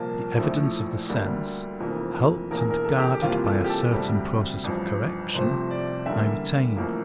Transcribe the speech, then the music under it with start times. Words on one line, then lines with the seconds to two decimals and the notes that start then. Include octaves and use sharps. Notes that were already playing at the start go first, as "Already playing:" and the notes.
The evidence of the sense, helped and guarded by a certain process of correction, I retain.
Already playing: C2 A#2 F3 A#3 A5
0.38 A#1 A2 F3 A3
1.09 D2 D3 G3 A#3
1.80 F1 F2 E3 A#3
2.51 E1 E2 E3 A#3 A#4
2.71 A#4
2.84 A4
2.98 G4
3.14 G4
3.21 C2 C3 E3 A#3 F4
3.45 A4
3.64 G4
3.69 A4
3.93 D2 C3 G3
4.64 A1 G2 F3
5.35 C2 C3 F3 A3 C5
5.71 D5
6.06 E2 D3 G3 A#3 E5
6.76 A1 A2 F3 A#3